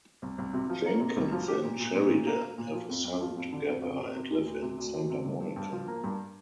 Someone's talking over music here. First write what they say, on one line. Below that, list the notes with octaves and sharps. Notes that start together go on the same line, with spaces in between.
Jenkins and Sheridan have a son together, and live in Santa Monica.
C2
C2
C3
F3
A#3
C3
C2
F3
G4
A#2
A#2
A#2
A#2
A#3
A#3
A#2
F3
F2
F2
F3
F2
D3
F2
F2
C3
C3
D2
D2
C3
D2
D2
C3
G2
G2
G2
F3
A#3
G2